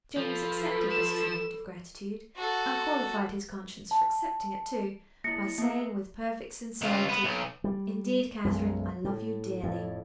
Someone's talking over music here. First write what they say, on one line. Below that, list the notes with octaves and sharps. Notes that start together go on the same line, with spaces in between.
James accepted this tribute of gratitude, and qualified his conscience for accepting it too, by saying with perfect sincerity, "Indeed, Catherine, I love you dearly."
F3 A4 B4
E7
F#4 A4
A5
A#3 E4 A#6 C#7
A#3 B3
C#2 F4
B3
B1
G3
B1 F#2 G#3
A2
F2 A2